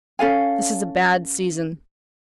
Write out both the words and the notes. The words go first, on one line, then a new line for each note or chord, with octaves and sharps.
This is a bad season.
C#4 A4 F5 G#5